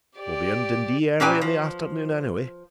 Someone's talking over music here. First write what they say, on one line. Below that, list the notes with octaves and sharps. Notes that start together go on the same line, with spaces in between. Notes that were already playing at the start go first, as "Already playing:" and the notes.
We'll be in Dundee early in the afternoon, anyway.
G4 D5
A#2 C#4 G4 B4 G5 G#5
F3